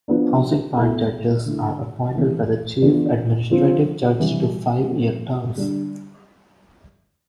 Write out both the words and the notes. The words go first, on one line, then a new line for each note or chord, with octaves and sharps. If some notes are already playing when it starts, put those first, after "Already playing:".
Housing Part judges are appointed by the Chief Administrative Judge to five-year terms.
F3 B3 D4
B2 A3 E4
D3 A3 E4
E3 A3 C4 E4
E3 B3 D4 F4
D3 F3 C4 F4
C3 E3 G3
F3 A3 C4
D3 G3 D4